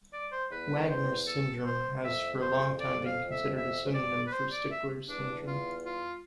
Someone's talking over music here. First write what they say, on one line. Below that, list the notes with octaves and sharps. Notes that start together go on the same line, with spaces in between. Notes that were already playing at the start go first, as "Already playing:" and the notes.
Wagner's syndrome has for a long time been considered a synonym for Stickler's syndrome.
D5
C5
E2 B4
C5
A4
C5
F2 E5
C5
D5
F5
E5
E5
D5
B4
C5
D5
E5
E2 D4
F4
F4